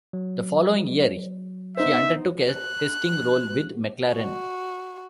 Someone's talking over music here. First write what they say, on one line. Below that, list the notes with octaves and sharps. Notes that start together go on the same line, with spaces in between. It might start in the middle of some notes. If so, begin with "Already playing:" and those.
The following year, he undertook a testing role with McLaren.
F#3
B3 D#4 C5 E5
F#6
F#4